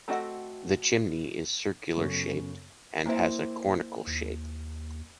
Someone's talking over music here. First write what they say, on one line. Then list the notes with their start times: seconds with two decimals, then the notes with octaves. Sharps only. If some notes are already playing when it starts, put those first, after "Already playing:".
The chimney is circular-shaped and has a conical shape.
0.08 A3 C4 F#4 D#5 F#5
1.96 F#2 C#3 B3 A4 C#6
3.06 A#3 C4 E4
4.07 D#2